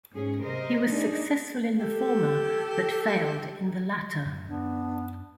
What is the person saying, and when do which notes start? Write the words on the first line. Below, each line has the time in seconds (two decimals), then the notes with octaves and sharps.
He was successful in the former but failed in the latter.
0.13 G#2 C#4 G#4
0.43 C3 A#4 C5 D#5
0.89 A3 D4 D#4 G#4
1.80 G4 A4
4.25 F#2 A2 F#3
4.48 F#2 B3 D4